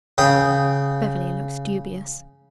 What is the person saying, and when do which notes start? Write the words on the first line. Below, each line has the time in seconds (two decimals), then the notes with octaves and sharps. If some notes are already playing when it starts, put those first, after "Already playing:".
Beverly looked dubious.
0.18 C#3 G5 D#6